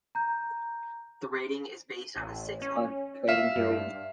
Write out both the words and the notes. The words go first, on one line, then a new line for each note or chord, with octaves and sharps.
The rating is based on a six-month trading period.
A#5 G6
A1
C#4
E5 F5
G2